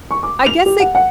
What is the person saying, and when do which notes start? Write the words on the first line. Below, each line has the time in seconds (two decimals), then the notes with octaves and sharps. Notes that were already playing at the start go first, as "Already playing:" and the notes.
I guess it
0.11 C#6
0.23 D6
0.46 F7
0.66 G4
0.80 F#5
0.95 F#5